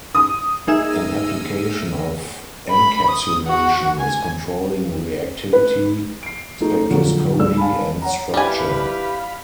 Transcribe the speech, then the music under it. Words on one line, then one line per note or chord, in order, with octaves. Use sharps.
An application of encapsulation is controlling reactivity, spectroscopy, and structure.
D#6
A#3 D#4 G#4 E5 E6
B5
D#6
F#4
G#5
B4
C7 D7
A3 D#4 G#4
F2 A#2 D3 F#3 G#3
C#2 G2 G#4 D5 E6
F5 G#5 A5 B5
C#5 F#5 A#5
D4 E4 G4 B4 F5 G#5 B5